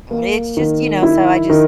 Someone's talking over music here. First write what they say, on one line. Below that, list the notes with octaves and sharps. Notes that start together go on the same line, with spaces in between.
It's just, you know, so I just
A#3
D#3
E4
D#3